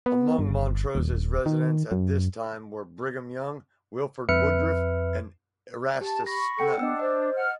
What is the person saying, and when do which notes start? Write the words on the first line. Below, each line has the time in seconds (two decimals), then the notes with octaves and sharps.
Among Montrose's residents at this time were Brigham Young, Wilford Woodruff and Erastus Snow.
0.06 B3
0.39 G1
0.95 D#1
1.46 D#3
1.92 F#2
4.29 F2 B4 E5 F6 C#7
6.01 G4 A5
6.26 B5 C#6 A#6
6.59 A4 F#5 G5 C#7
6.79 B3 D4 D#5 E6
6.99 C5 D#5
7.36 F#5 F6